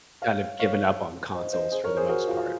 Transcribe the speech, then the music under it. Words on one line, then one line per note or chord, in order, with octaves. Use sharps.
kind of given up on consoles for the most part,
C#5 F5
C#5 F5
C5 D#5
C5 D#5
G#4 C5
A#4 C#5
G#4 C5
F#4 A#4
F4 G#4